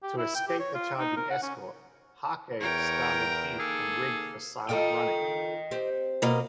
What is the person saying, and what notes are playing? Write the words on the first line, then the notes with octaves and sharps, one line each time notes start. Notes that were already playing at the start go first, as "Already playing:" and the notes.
To escape the charging escort, "Hake" started deep and rigged for silent running.
G4
E4
G5
G4
C#5
F4
D#4
A#4
F#5
C#4
E2 A#4 C#5 G5
D#3 A#3 G#4 A4
D#4 F4 A4 D#5 G5
C4 G4
B2 A#3 D#5